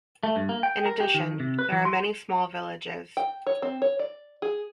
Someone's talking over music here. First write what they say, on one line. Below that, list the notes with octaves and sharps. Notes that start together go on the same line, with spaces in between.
In addition, there are many small villages.
A3
G2
A#3
G5
A#4
G4
D#3
C3
B4
E3
C6
G5
C#5
C4
C#5
D5
G#4